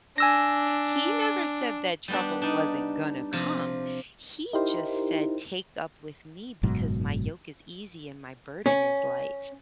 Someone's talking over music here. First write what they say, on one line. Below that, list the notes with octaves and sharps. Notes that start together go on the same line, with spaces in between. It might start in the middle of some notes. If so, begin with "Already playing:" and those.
he never said that trouble wasn't gonna come, he just said take up with me because my yoke is easy and my burden is light.
D4 G#5 E6 A#6
G3 B3 D4
D4 D#4
C3 F3
D#4 E4 G4 A#4 C5
F#1 G#2 B2 F#3
C#4